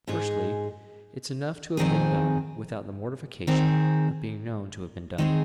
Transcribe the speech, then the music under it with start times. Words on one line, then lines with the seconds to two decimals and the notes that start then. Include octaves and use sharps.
Firstly, it's enough to have been done, without the mortification of being known to have been done.
0.07 G#2 G#3 D#4 G#4
1.77 F2 D#3 C4 G#4
3.47 D#3 C4 G#4
5.18 D#3 G#3 C4 D#4 G#4